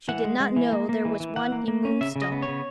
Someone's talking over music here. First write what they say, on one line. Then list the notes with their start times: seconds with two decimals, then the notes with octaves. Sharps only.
She did not know there was one in Moonstone.
0.08 E3 F#5
0.24 G#3
0.40 G#3
0.56 E3
0.73 A#3
0.89 A#3
1.05 E3
1.20 E3
1.36 E3 F#5
1.52 A#3
1.68 A#3
1.85 C#4
2.01 C#3 E5
2.16 C#3
2.22 D#5
2.32 B3
2.42 C#5
2.48 C#3